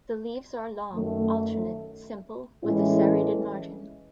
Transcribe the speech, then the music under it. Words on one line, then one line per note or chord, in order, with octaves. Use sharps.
The leaves are long, alternate, simple, with a serrated margin.
F#2 D#3 A3
A2 E3 G#3 C#4 E4